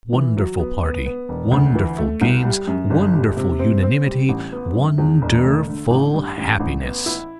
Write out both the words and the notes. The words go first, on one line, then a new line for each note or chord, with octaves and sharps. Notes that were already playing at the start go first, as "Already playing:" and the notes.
Wonderful party, wonderful games, wonderful unanimity, won-der-ful happiness!
E3
F#3
B3
B3
B3
E1
D2
E3
A3
C2
G3
F#2
G1
G3
C3
C4
C4
G3
A1
B3
F#2
E2
E1
A3
D3
A1
G2
A1
A1
B3
E4